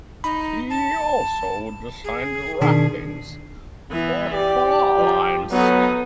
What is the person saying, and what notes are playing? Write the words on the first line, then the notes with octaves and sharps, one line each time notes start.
He also designed wrappings for pralines.
D#4 B5
A5
G#4
B2 D#3 D4 G#4
E3 B3
G4 D5
F3
F#3 B3 D#4 A4